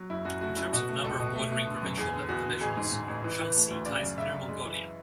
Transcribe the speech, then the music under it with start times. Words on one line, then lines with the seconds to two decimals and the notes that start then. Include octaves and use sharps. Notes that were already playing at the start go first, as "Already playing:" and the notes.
In terms of number of bordering provincial-level divisions, Shaanxi ties Inner Mongolia.
Already playing: F#3
0.10 F#1 E4
0.25 F#2 F#4
0.41 A3 F#4
0.56 F#1 E4
0.72 B2 F#4
0.89 A3
1.04 C#2 A4
1.20 B2
1.36 A3
1.51 A3
1.66 D3
1.82 F#2
1.98 E2 G#4
2.13 D3
2.29 E2 F#4
2.45 D3
2.61 A1 G#4
2.77 G#2
2.92 G#2
3.08 A1
3.24 E3
3.39 E3
3.55 A3
3.70 D2
3.86 C#3 D5
4.02 F#2
4.18 C#3 E5
4.33 F#2
4.48 G#3
4.65 E3